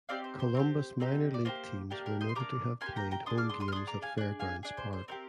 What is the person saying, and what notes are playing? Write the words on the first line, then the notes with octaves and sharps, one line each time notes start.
Columbus minor league teams were noted to have played home games at Fairgrounds Park.
C4 D#4 G4 D5 F5
C5
C5
C4 D#4 G4
C4 D#4 G4
D5
A#3 D4 G4 C5
A#3 D4 G4 A#4
A#4
C5 D#5
C6
A#3 D4 G4 A#5 D6
A#3 D4 G#5 C6
G4
G5 A#5
G5 A#5
D4 G#4 C6 D#6
D6 F6
C6 D#6
C6 D#6
F6
D4 G#4 C6 D#6
A#5 D6
F5 G#5
D4 G#4
F5 G#5
D4 G#4
C5
C5
C4 D#4 G4 A#4